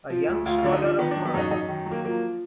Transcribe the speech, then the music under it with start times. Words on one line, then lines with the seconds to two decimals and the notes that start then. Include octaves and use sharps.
A young scholar of mine.
0.10 F3
0.28 D2
0.46 D2 F4
0.58 F4
0.63 D3 D4
0.72 D#4
0.80 F3 D4
0.99 D#3 B3
1.11 D4
1.17 F#3
1.25 B3
1.34 F#2 D#4
1.51 F#2 D#4
1.68 D#3
1.86 F#3
1.91 A#3
2.05 F3 A#3